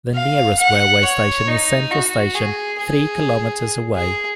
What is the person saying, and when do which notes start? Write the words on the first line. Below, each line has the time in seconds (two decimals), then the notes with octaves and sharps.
The nearest railway station is Central station, three kilometres away.
0.14 F5
0.59 F#5
1.03 C#5
1.47 D#4
1.91 F#4
2.34 G#4
2.78 G#4
3.95 G#4